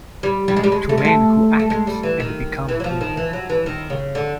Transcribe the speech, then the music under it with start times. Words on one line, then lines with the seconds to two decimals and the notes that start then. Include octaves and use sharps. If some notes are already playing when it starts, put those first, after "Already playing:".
To men who act and become women.
0.23 G3
0.48 G3
0.57 G#3
0.64 G3
0.72 G#3
0.89 A3
0.98 G#3
1.05 A3
1.59 A3
1.70 G#3
1.87 G3
2.03 E3
2.20 D#3
2.69 E3
2.80 F#3
2.84 F3
3.01 D#3
3.17 E3
3.33 F#3
3.50 E3
3.66 D#3
3.90 C#3
4.15 D3